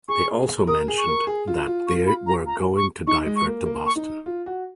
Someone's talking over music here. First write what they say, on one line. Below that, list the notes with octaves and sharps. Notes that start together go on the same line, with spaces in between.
They also mentioned that they were going to divert to Boston.
G#4 C#6
A#4 D#6
G#4
C#6
A#4
G#4
F4
F4
C#6
B5
A#5
A#5
C#6
D#4 C#6
G#3
C#6
A#3
A#3
C#6
D#4
F4
F#4